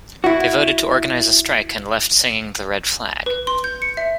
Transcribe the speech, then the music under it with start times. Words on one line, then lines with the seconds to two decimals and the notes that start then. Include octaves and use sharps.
They voted to organise a strike and left singing "The Red Flag".
0.24 E4 F#4
3.26 B4
3.47 C6
3.64 G6
3.82 C#7
3.97 E5